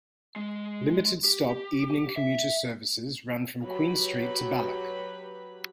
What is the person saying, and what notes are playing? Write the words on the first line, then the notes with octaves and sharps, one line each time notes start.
Limited stop evening commuter services run from Queen Street to Balloch.
G#3
G4
E5
F#3 G4 B4 B5